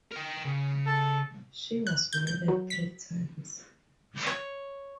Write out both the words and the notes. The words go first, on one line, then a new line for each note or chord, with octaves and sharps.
She was married three times.
A#4 G5
C#3
A4
F#6
G6
G6
F#3
B6
C#5